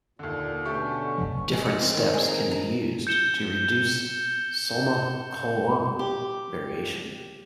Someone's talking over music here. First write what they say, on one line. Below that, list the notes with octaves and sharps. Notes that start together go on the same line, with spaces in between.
Different steps can be used to reduce somaclonal variation.
D#2 A#2 D3
B2 D3 A3 C#4 G4 C#6
G#3
F#5
C4
D#3
G#4
A#5
A#5
G6 C#7 E7 G7
G4